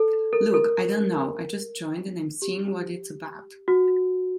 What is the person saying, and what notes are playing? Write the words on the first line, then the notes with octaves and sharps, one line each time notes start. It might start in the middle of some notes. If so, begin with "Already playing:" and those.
Look, I don't know, I just joined and I'm seeing what it's about.
Already playing: A4
A#4
A#4
G4
F#4